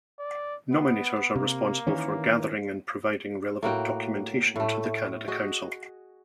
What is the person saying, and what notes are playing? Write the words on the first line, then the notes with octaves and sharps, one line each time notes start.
Nominators are responsible for gathering and providing relevant documentation to the Canada Council.
D5
B3
C3 A#3
D#3 E3 C#4
A2 A#3 F#4 G5
A2 A3
F#4 G#4 D#5